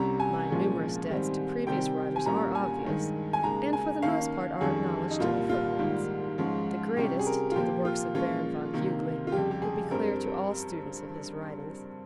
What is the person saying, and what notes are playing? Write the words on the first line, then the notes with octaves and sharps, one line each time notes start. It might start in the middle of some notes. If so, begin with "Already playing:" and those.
My numerous debts to previous writers are obvious, and for the most part are acknowledged in the footnotes; the greatest, to the works of Baron Von Hugely, will be clear to all students of his writings.
Already playing: C2 C3 G3 C#4 A#5
G#5
A#2 F3 G#3 C#4
G#2 D#3 G3 C4
C3 D#3 G3 C4 G5
G#5
C2 A#2 G3 C#4 A#5
G#5
G2 D#3 G#3
G#5
D#2 C#3 G#3 A#5
G#5
D#2 D#3 A#3 C#4 F5
F2 D#3 G3 C#4 G#4
D#4
C2 A#2 G3 F4
F4
G#2 D#3 G3 A#3
G#2 F3 G#3 C#4
C3 G3 C#4 G4
G#4
A#4
F4
A#2 F3 A#3 G4
F4
A#2 F3 G#3 C#4 F4
C3 D#3 A#3
F4
F2 C#3 G3 G4
G4
G#4
G2 G3 C4 A#4